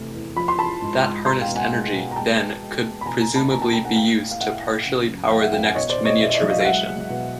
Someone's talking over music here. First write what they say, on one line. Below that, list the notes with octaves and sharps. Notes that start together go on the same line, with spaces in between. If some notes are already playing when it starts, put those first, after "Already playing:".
That harnessed energy, then, could presumably be used to partially power the next miniaturization.
Already playing: E2 C3 A3
E2
F3 B5
C6
F3 A5 B5
G#2
G#2
G#3 A#5 C6
F5 G5
B2
F#5 G#5
G#3
B2
A#5
G#3 G5 A5
G#3
G#3
G#3
B5
B2 G#5 A#5
G#5 A#5
A3
A5 B5
B2 G#5 A#5
G5 A5
A3 G5 A5
F#5 G#5
G#3 F5 G5
A2
F5
A2 E5 F#5
A2
C#3
F#2
F#2 F5 G5
E5 F#5
F#2 F5 G5
F#5 G#5
B2 C#5 D#5
C5 D5
B2
C#5 D#5
B2 D5 E5
D#5
D5 E5
F#3
D#5 F5
F5
G#3 E5 F#5
G#3
B2